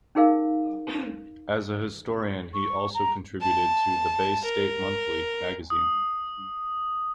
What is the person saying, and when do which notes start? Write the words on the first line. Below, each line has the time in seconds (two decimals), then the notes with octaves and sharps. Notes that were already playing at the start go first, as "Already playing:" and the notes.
As a historian he also contributed to "The Bay State Monthly" magazine.
0.15 C#4 D#4 G#4 A#4 F5
2.54 C#6
2.94 A#5
3.41 A5
4.44 A#4
5.70 D#6